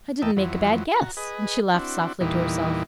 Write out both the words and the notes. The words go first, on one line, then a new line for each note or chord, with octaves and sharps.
"I didn't make a bad guess;" and she laughed softly to herself.
E2 A#4 D#5 E5 G5 A5
F2 E3 F#3
F#4 A#5
G#4 B4 D#5
C4 D4 E4 F#4
E2 A#2 E3 G3 D#4